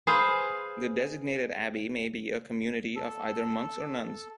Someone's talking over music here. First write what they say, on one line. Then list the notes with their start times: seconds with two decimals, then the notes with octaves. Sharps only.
The designated abbey may be a community of either monks or nuns.
0.07 G#4 B4 C5 F5
2.96 A4